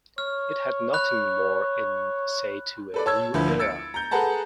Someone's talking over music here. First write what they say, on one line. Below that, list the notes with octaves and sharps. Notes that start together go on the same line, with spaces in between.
It had nothing more in say to a new era.
C#5 F6
B5 F#6
A4 B4 D5
C#5 A5 E6 G#6
D2 F3 E4 B4
E6 G#6 A6 C#7 D7
A#5 G6
G#4 A4 B4 F#5 A5 A#5